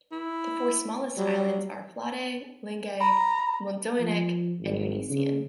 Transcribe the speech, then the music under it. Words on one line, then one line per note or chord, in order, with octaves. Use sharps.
The four smallest islands are Flodday, Lingay, Muldoanich and Uineasan.
E4
F#3 G3
A#5 B5
F3
G#1
C#3